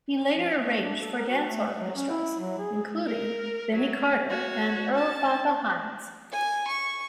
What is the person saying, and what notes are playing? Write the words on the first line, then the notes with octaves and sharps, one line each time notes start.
He later arranged for dance orchestras, including Benny Carter and Earl "Fatha" Hines.
F3
A3
D4
A4
A#4
F#4
A3
F#3
C#4
E4
F#3
G#4
A#4
F#3
F#4 C#5
C#4 A5
G#5
C#6